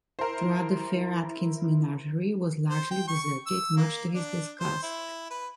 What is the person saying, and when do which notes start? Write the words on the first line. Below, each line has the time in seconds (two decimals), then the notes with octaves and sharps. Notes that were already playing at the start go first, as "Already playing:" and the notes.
Throughout the fair Atkins' menagerie was largely deserted, much to his disgust.
0.19 E4 A#4 C5
2.70 C5
2.91 G5
3.08 C#6
3.47 E6
3.77 A#3
4.15 D4
4.60 C5
4.83 E4
5.30 B4